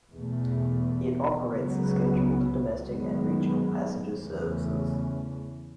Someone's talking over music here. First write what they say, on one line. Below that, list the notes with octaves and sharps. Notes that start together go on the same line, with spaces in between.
It operates scheduled domestic and regional passenger services.
E2 B2 A3
C#2 C#3 F#3 B3
F#2 D#3 G#3 B3
E2 C#3 E3 A3 C#4